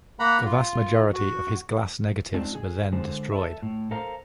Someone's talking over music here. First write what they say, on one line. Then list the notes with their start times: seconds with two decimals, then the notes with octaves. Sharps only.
The vast majority of his glass negatives were then destroyed.
0.19 A#3 F#5 A#5 B5
0.45 F4
1.13 F#4
2.34 G#3 C4 D4 D#4 F4
2.55 G#4
2.92 D3 G#3 C5
3.32 A4 E5
3.62 A2
3.91 A4 A#4 C5 F5 A#5